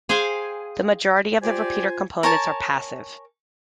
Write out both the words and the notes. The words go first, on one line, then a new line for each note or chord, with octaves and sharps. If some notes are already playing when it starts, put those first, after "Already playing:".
The majority of the repeater components are passive.
G#4 C5 F5 G5 G#5
F4 G4 C5 D5 G#5
A#4 C#5 G#5 A5